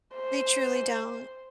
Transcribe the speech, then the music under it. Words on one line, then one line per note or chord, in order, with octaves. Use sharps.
They truly don't.
C5